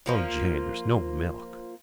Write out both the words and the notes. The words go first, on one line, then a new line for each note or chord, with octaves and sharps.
O, jay, there's no milk.
F3 A#3 F4